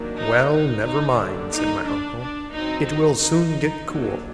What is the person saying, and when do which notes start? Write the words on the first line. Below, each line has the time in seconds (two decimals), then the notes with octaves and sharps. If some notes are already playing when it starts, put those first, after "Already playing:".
"Well, never mind," said my uncle, "it will soon get cool."
Already playing: D#3 F#3 A#3 D4
0.19 D#4
0.52 D#4
0.85 D#4
1.19 D3 G3 A#3 D4
1.52 D#4
1.86 D4
2.19 D4
2.52 F#3 C4 D#4
2.85 D#4
3.18 D#4
3.85 D#3 F#3 A#3 D4